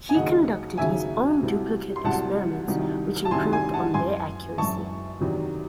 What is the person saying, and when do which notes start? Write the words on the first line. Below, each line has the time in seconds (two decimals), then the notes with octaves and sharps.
He conducted his own duplicate experiments which improved on their accuracy.
0.09 G#5
0.15 D#2 C#3 F#3 D#5 F#5
0.78 D#2 C#3 F#3 E5 G#5
1.41 C2 C3 F#3
1.96 C6
2.04 C2 C3 F#3 F#5 A5
2.68 C2 C3 D#3 F#3
3.25 A5
3.31 C2 C3 D#3 F#3 G#5 C6
3.52 G#5 C6
3.74 F#5 A5
3.94 F#2 E3 G#5 C6
4.58 F#2 E3 A5 C#6
5.20 E2 C3 D#3 F#3